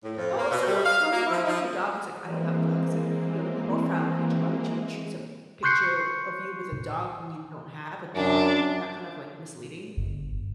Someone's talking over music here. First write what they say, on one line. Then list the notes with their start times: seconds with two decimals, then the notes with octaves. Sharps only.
"Oh, so tell me more about your dog," he's like, "I don't have a dog." I said, "Your profile picture, why would you choose a picture of you with a dog when you don't have a dog?" Isn't that kind of, like, misleading?
0.03 A2
0.16 F2
0.36 A#3
0.51 B2
0.67 G3
0.84 F5
1.12 A#3
1.30 F3
1.46 F3
2.22 E3 G#3 A#3 C4
5.63 C6 C#6 F#6 G6 C7 C#7
8.16 F#2 D4
9.97 G1